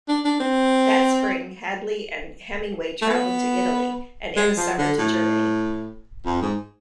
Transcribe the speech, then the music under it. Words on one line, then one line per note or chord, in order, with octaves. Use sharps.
That spring Hadley and Hemingway traveled to Italy, and in the summer to Germany.
D4
D4
C4
A3
B3
G#3
F3
D3
A2
F2
G#2